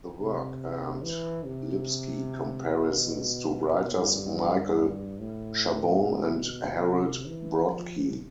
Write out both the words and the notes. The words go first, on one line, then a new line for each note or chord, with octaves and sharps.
The work earned Lipsky comparisons to writers Michael Chabon and Harold Brodkey.
C3
E3
C3
B2
G2
A2
B2
C3
E3
F3